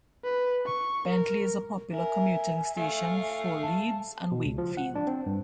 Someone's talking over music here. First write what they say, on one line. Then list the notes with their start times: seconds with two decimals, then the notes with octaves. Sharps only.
Bentley is a popular commuting station for Leeds and Wakefield.
0.24 B4
0.66 C#6
1.08 A#4
1.92 A#4 E5 G#5
2.77 A3 F5
3.63 A5
4.32 B2
4.45 C#2
4.58 F3
4.77 F#5
4.95 D4
5.07 C4
5.26 G2